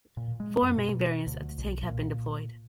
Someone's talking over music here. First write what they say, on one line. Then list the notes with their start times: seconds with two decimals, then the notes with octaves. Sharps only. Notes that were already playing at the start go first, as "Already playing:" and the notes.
Four main variants of the tank have been deployed.
0.17 A#2
0.40 G#3
0.62 F#2
0.77 B2
1.27 D2
1.58 B1
1.83 A#2